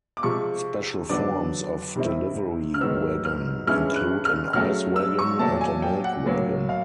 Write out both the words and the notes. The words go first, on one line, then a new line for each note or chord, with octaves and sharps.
Special forms of delivery wagon include an ice wagon and a milk wagon.
D6
C3 F3 G#3 C#6
F2 D3 F#3 B3 D4 D6
C3 D#3 G3 C4 E4
F6
G#2 D#3 F#3 B3 E6
F6
G2 E3 G#3 C#4 E4 F6
F#6
F6
C#3 F#3 A3 F6
E6
C#6
A#2 F#3 A3 A5
G#5
G5
F#5
A2 F#3 A#3
F5